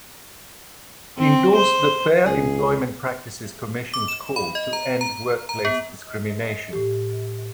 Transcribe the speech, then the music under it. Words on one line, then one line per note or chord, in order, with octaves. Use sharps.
He endorsed the Fair Employment Practices Commission's call to end workplace discrimination.
C4
C5
C#2 G#4
D6
E7
B5
D#5
A#5
A#5
A#5
B3
A2 G4